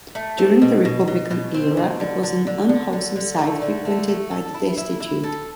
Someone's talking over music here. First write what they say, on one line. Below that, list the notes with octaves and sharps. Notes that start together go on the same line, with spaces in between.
During the Republican era, it was an unwholesome site frequented by the destitute.
A3
C4
B2
B2
B2
B2
C4
B2
D3
D3
D3
D3
D3
D3
A3
D3
A3
A3
A4
E4
E4
E4
A4